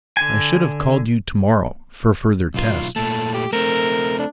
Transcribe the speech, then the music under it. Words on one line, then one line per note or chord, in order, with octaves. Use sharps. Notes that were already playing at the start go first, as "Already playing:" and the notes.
I should have called you to-morrow, for further test.
D3 G#5
B1 F4
A#2 A3 A5
G4
A3 C4 A#4
D4